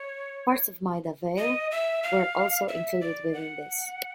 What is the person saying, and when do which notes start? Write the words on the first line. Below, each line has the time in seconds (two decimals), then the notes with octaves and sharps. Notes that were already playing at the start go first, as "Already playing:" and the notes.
Parts of Maida Vale were also included within this.
Already playing: C#5
1.38 D#5
1.71 E5
2.03 F5
2.68 E5
3.01 D5
3.33 F#5